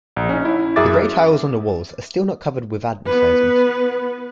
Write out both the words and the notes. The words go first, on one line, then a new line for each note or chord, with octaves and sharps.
The grey tiles on the walls are still not covered with advertisements.
A#1
C#4 D#4
E4
F#2 G#4 E5 D6 A6
B3 B4